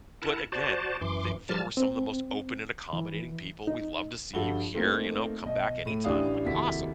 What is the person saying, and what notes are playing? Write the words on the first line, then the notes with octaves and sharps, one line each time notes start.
but, again, th they were some of the most open and accommodating people, "We'd love to see you here," you know? "Come back anytime," like, "Awesome."
E4 A#4 F#5 A5
F#4 C5 D5 A5
F#2 E3 C6 D6
F3 G3 A5 F6 A6
C4
E3
D#4
G2 F3 F#4 A4 G7
A3 A#3 C4 D#4 F4 A#4
B1 D#5
A2 D#7
A1 E3 D4 G4 F5 D#6
F1 D#2 A#3 E4 F#4 B6